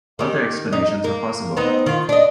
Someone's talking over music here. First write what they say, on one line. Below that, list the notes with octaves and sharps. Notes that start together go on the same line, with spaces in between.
Other explanations are possible.
D#3 G4
D#4
A#3
B3 C4 D#4
D#3 F4
D4 D#5